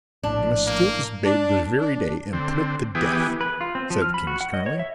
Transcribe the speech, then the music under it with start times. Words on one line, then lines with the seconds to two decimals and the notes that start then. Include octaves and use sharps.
"You must steal this babe this very day and put it to death," said the king sternly.
0.23 A#1 A2 D4
0.67 A#3
1.24 D4
1.78 D4
2.33 D3 C4
2.95 E3 B3 G4 G#4
3.41 B4
3.61 F4
3.75 C4
3.90 F3
4.02 F6
4.14 B5
4.27 F#4
4.41 F#5
4.54 D#5
4.66 C#5
4.79 E5